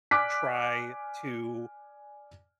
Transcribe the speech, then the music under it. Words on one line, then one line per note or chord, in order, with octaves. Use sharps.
try to,
D5 G#5 D6 F6 F#6 B6